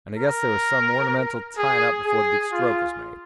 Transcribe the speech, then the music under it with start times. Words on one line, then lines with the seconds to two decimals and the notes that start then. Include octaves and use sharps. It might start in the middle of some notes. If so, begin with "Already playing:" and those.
And I guess there was some ornamental tyin' up before the big stroke was made.
0.17 A#4
1.58 G#4
2.05 G#4
2.52 F4